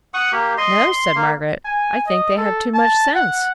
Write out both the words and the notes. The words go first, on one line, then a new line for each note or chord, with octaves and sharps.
'No!' said Margaret; 'I think they have too much sense.'
F#5 C#6 D#6
A#3 G4
D#5 C6
C6
A#3
G#5
D#5
A4
A5
F#5